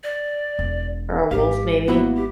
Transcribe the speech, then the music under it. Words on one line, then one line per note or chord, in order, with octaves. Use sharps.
or a wolf, maybe
D5
E1
G#1 G#3 G4 F5
A#3 B3 E4 F#4
G4